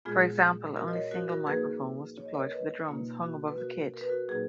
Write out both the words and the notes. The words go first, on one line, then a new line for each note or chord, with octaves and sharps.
For example, only single microphone was deployed for the drums, hung above the kit.
A#2 G#3 B3 F4 G#4
F#4 A#4
D#5
A#4 C#5
F#4 A#4
F#4 A#4
F3 A#3 D#4 G#4 B4
C#5
D#5
A#4 C#5
B4 D#5
B2 A#3 D#4 F4
F#4
B4
F#4 A#4
A#4
B4
F#4 A#4
A#2 F#3 A#3 D#4 G#4 B4